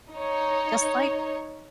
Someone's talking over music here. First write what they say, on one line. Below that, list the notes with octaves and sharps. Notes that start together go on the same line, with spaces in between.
just, like,
D#4 C#5